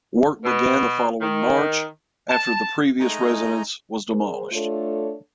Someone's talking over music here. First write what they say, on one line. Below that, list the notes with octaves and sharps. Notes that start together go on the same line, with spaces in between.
Work began the following March after the previous residence was demolished.
B2
D#3
A5
G#3 A3 D#4 D#5 G#5 A#5
G#4 A#4 C5
A3 D4 F4 A4 C#5